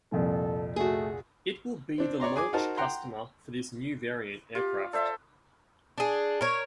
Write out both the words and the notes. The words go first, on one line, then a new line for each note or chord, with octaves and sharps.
It will be the launch customer for this new variant aircraft.
C2 F2 A#2 A4
A3 F#4 G#4
C4 D4
C#5 D5 A#5 C6
G#4 G#5 D6
D#4 F#4 A#4 C5 A5
F#5 G5 A#5 C6
F4 G4
A4 C5 D5 E5
D4 G#4
A#4 C#5